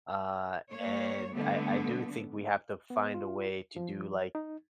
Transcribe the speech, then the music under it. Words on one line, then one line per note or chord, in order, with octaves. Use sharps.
Uh, and I I do think we have to find a way to do, like
A#3 C#5
D3 G3 A3 B3
B3
F4
F3
D#4